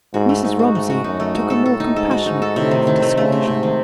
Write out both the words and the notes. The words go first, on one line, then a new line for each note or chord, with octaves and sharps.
Mrs. Romsey took a more compassionate view of the disclosure.
G#2 F#4
A3
G#2 D#4
F#4
G#2 A3
F#4
F#2 D#4
A3
G#2 F#4
A4
A2 A4
D#4
G#2 A4
F#4
G#2 D#4
A4
A2 C3
D#3
D#3
A3
C#3 A3
C3
G#2 C3
D#3